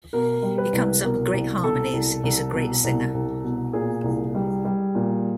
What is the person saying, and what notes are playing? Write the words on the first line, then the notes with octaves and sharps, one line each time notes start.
He comes up with great harmonies, he's a great singer.
B2 A#4
G3
B4
C2
B2 A#4
C2
B2 A4
C2
C2
B2
C2
C2
B2
A#2 G#4
C2
G3
G3
A#2